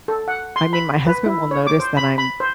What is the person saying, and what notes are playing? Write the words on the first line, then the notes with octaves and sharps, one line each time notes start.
I mean, my husband will notice that I'm
A4
F#5
C6
B5
B4
E4
C#5
D6
C5
B5
B5
C5